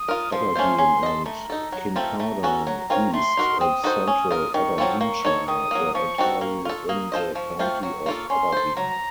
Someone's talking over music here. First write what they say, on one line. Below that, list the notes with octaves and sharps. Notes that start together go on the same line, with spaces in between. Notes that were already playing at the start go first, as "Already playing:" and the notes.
Aberdeen and Kincardine East and Central Aberdeenshire were entirely within the county of Aberdeen.
Already playing: D#6
F4 A#4
F3 C6
A3 C#4 F4 C5
C#4
A4 D#5
A3 A#5
D#4 A4
F#3
A3 C4 F4 A4
A3
C#4 F#4 A4
F#3
C4 F4 A#4 C#5
A3 C6
D#4 F#4 A#4
C4 D#6
D#4 F#4 A4 C5
C#4
F4 A#4
D#3 C#6
F#3 C4 F4 A4
A#3 C#6
D#4 A4 C#5
D#3 D#6
F#3 A#3
F3 C#6
C4 D#4 F#4 A4
A#3 C#6
F4 A4
A#3 D#6
F4 A4 C5 D#5
F3 C#6
A3 C4 F4 C5
F#3 C#6
A#3 F4 A4
C#4 C6
A4 C5
F#3 A#5